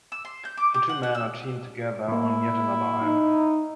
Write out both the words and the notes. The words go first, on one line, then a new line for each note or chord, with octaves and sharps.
The two men are teamed together on yet another island.
E6
C6
G6
D6
G4
F#5
F#5
E6
A2 A#3 E4
D#4